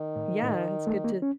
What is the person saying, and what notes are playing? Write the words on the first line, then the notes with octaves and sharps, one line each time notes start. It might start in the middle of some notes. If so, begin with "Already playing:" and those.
Yeah, it's good to
Already playing: D#3
A2
A2
A3
A#3
C#4